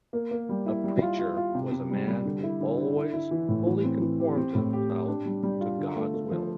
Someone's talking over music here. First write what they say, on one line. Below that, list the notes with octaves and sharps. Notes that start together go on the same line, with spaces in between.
A preacher was a man who always fully conformed himself to God's will.
A#3
A#3
G3
E4
G3
F4
F4
F4
C3
C3
G3
G3
D3
E4
D3
D3
E4
E4
E3
A2
E3
C4
E3
G4
C4
A2
G4
G4
D4
G3
G3
F4
D3
A3
A3
F3